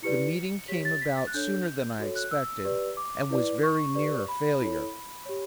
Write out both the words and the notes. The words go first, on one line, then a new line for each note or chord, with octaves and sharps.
The meeting came about sooner than I expected, and was very near a failure.
E4 G4 B4 D5 C#7
G4 C#5 B6
A6
B6
A6
F#6
D4 A4 C#5 G6
F#4 A4 C#5
F#6
E6
G4 B4 D5
D6
E4 B4 D5
C#6
G4 B4 D5
B5
E4 A4 C#5
G4 C#5